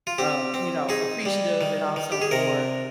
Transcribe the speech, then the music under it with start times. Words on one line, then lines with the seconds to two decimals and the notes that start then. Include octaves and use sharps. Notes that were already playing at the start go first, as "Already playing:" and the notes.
um, you know, appreciative and also more,
0.07 F4
0.18 C4 G4
0.54 C4
0.89 D#4 G#4
1.26 G3
1.61 D#3
1.96 D#3
2.12 G4
2.22 G#4
2.31 C3 A#4